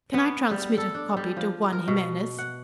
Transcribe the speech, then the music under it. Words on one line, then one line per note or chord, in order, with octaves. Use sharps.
Can I transmit a copy to Juan Jimenez?
B3
G3
A4
D4
G3
F3
A#4
B2
F#5